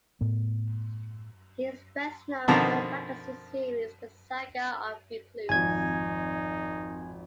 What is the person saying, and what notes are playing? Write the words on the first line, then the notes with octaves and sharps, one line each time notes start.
He is best known for the fantasy series "The Saga of Recluce".
A2 B3
B2 D3 D#3 F3 C4 A#5
G#1 F2 D#4 G#5 G#6